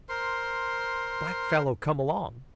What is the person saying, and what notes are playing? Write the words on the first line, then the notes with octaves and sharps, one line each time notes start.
"Black fellow come along."
A#4 C5 C6